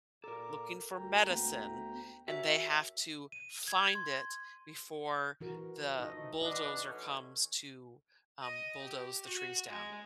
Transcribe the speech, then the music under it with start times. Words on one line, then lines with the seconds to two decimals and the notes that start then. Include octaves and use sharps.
looking for medicine, and they have to find it before the bulldozer comes to, um, bulldoze the trees down.
0.24 A#2 A4 A#4 A#5 D6
0.93 D2 G5 A#5
1.30 A3 B3
2.28 F#4 G#4 A#4 C#5 E5
3.32 D#7
3.68 G#6
3.95 C6
5.41 E3 F#4 A#4
5.99 F3 A3 D#4 D#5
6.41 C#2 B3 D4 D#5
6.84 B2 A3 C#4
8.43 D#5
8.82 G4
9.25 F#4
9.68 G#3